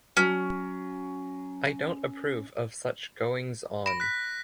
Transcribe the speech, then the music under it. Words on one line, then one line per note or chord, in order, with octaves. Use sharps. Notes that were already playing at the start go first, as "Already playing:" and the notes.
I don’t approve of such goings-on.
F#3 C#4
B5 A#6 D7
F#6 B6